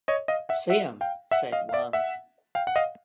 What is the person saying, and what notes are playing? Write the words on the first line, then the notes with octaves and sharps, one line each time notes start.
'See 'em,' said one.
C#5 D#5
D#5 F5
E5 F#5
E5 F#5
F5 G5
E5 F#5
D#5 F5
F5
D5 E5
E5 F#5
F5 G5
F#5
D#5 F5